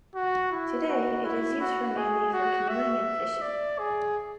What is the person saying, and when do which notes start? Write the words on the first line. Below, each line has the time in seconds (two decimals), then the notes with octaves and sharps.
Today, it is used for mainly for canoeing and fishing.
0.16 F#4
0.52 E4
0.88 F#4
1.25 E4
1.61 F#4
1.97 G#4
2.33 F#4
2.69 E5
3.42 D5
3.79 G#4